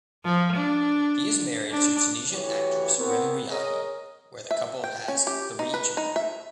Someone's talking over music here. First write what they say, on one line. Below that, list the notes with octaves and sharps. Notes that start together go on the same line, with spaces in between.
He is married to Tunisian actress Rim Riahi where the couple has three children.
F3
D4
D4
E3 A3 F#4 G4 C#5
B3 C4 A#4 C#5
G#4 A#4 C#5 D#5
E5
G5
C#4
G4
D#4
B4
D#4
E5